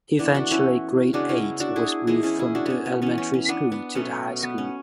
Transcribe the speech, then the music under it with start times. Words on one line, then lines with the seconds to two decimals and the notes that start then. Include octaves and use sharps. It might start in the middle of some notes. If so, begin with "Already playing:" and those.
Eventually grade eight was moved from the elementary school to the high school.
0.19 E3 A3 B3 D4
0.35 D4 F#4
0.51 C#4 E4
1.13 C#3 G#3 B3 D4 F#4
1.29 C#4 E4
1.60 D4 F#4
1.76 E4 G#4
2.07 E3 G#3 B3 E4 G#4
2.23 C#4 E4
2.39 E4 G#4
2.55 D4 F#4
2.66 B3 C#4
2.86 B3
3.02 E3 B3 C#4
3.18 C#4
3.34 C#4
3.49 B3 D4
3.72 B3
3.95 B2 F#3 A3 C#4
4.42 B3
4.58 C#4